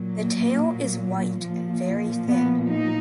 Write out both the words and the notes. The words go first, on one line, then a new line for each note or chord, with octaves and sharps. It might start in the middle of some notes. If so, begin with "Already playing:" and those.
The tail is white and very thin.
Already playing: A#2 F#3
A#3
A#2 F3
B3
D#4